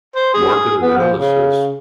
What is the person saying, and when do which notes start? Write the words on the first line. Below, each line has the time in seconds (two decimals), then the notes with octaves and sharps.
market analysis
0.16 C5
0.34 G#4
0.82 B3
0.98 F3
1.19 C#3